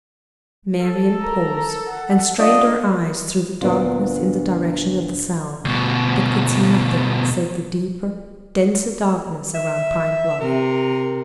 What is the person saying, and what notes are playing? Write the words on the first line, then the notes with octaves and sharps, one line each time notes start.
Marian paused and strained her eyes through the darkness in the direction of the sound, but could see nothing save the deeper, denser darkness around Pine Bluff.
A4
A#4 A#5
F#5
D4 F4 D#5
D2 A#2 B3 D4 F4
D2 B2
E5
C3 A#4